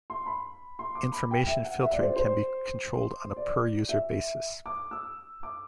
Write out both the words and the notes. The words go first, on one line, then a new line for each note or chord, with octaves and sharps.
Information filtering can be controlled on a per-user basis.
C6
B5
C6
D6
B5
G5
E5
F#5
E5
D5
C5
C5
D5
E5
D6
E6
D6